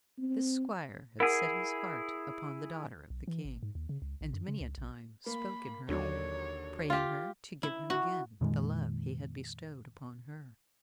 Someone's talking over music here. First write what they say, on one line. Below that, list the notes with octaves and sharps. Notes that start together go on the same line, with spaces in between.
This squire had set his heart upon the daughter of the King, and many a time spoke in her ear, praying her to give him again the love he had bestowed upon her.
C4
E4 G#4 A#4 F#5
B1
E3
G#1
G#2
D#2
C#3
C#2
A#1
F#2
C#3
C#2
A#1
A#3 B5
D#2 D3 F#3 D4 C#5
F4 G4
E4
F#4
F2 A#2 D#3 G#3